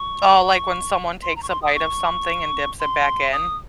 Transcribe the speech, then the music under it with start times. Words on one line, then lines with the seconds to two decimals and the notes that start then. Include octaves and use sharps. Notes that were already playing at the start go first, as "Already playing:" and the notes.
Oh, like, when someone takes a bite of something and dips it back in?
Already playing: C#6
1.22 C6
1.36 A#5
1.43 C#6
1.49 C6
1.62 D#6
1.75 C#6
2.80 C6
3.33 D#6